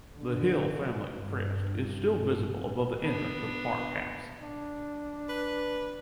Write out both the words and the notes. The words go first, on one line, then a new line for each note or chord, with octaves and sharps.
The Hill family crest is still visible above the entrance to the park house.
D3
G2
B3 D4
D4
B4